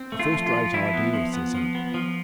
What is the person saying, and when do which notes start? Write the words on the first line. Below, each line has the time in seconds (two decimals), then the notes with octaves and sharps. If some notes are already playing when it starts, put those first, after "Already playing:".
'A first-rate idea,' says he.
Already playing: C4
0.12 A3
0.20 F4
0.33 F3
0.47 F4
0.53 F3
0.73 F3 E4
0.94 B3
1.14 F3
1.34 B3
1.55 F3
1.75 B3
1.94 F3